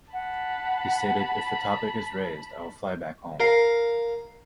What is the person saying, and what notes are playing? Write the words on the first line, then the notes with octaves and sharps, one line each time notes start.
He stated "If the topic is raised, I will fly back home".
F#5 A5 B5
A#4 F5